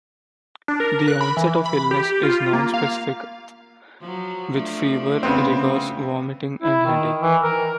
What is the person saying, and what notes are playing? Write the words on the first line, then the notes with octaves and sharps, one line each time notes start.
The onset of the illness is nonspecific with fever, rigors, vomiting, and headache.
D4
A#4
F#6
B5
E3
B5
G4
F4
A#3
F5
F3 F#3
F3 A3 D4
C#3 B3 C4
E4
D#3
E3
A#4